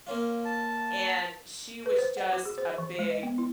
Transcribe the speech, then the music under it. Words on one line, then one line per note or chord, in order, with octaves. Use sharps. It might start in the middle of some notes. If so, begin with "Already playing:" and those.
and she was just a big,
A#3 C#4 F4
A5
B4
C5
F#5
F#4
G#4
C5
E3
G#3
D#5
B3
E4